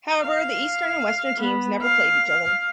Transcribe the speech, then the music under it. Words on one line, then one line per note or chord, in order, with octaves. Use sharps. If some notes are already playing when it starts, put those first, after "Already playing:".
However, the eastern and western teams never played each other.
F5
B3
F5